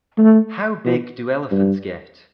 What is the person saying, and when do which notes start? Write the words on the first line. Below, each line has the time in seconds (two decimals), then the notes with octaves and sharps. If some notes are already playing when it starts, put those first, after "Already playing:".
How big do elephants get?
0.18 A3
0.85 B2
1.51 G2